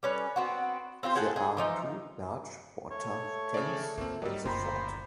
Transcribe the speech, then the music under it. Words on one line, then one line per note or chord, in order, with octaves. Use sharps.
There are two large water tanks on the fort.
G3 C#4 B4
B3 C4 F#4
C4 F4 G4 C5
G#4 F#5 G5 A5
G#4
E3 F3 D#4
A3 C#5
C#3 D5
D2 A#3 C4 F4
D#3 F#3 G3
F#1 D2 A#2 C4 C5 A#5 B5